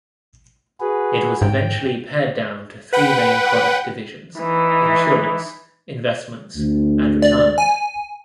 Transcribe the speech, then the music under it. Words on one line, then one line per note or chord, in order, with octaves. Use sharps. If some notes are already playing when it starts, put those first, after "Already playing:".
It was eventually pared down to three main product divisions: insurance, investments, and retirement.
F#4 G#4 B4
G#2 G5
B4 F#5 G5
E3 D#4
D2
D5
G#5